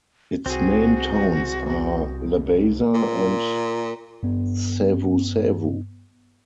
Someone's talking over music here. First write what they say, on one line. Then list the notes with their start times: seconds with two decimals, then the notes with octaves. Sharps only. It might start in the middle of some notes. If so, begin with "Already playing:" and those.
Its main towns are Labasa and Savusavu.
0.46 C2 C4 F#4 G#4
2.94 A#2
4.23 G2 B3